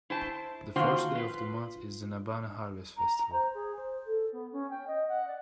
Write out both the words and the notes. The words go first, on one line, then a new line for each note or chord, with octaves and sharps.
The first day of the month is the Nabanna harvest festival.
E4 C5 A5
D#3 F3 A#3 F4 F#4 C5
F4 B4
A#5
C5
G#4
C5
A4
B3
C#4
G5
D#5
F#5
D5